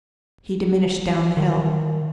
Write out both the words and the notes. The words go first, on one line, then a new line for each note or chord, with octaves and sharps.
He diminished down the hill.
D#3